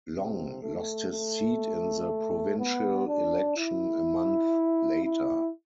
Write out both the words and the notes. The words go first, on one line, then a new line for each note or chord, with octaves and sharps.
Long lost his seat in the provincial election a month later.
C3
A3
A3
B3
D4
E4
E4